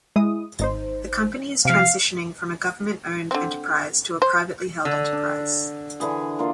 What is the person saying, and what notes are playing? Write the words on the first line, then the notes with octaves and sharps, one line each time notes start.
The company is transitioning from a government-owned enterprise to a privately held enterprise.
G#3 E4 D#6
G#1 D#4 C5
C3 F3 F5
D3 C4
C5
D3
D4
D3 E3 G#4
A#3 D4 F4